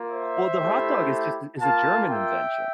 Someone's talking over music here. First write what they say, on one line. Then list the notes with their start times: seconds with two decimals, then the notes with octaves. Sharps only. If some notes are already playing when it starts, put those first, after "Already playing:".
Well, the hot dog is just a is a German invention.
Already playing: A#3 F4
0.11 C5 E5
0.60 A3 E4 G4
1.59 A#3 F4 F5 A5
2.09 E5 G5